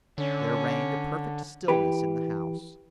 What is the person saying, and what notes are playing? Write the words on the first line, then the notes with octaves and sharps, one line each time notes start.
There reigned a perfect stillness in the house.
D3 C#4
E3 G4 B4